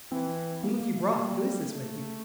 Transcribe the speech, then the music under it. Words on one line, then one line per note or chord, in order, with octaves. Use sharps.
Whom have you brought? Who is this with you?
E3 C4
A#3
A#3
A3
G3 A#3
A3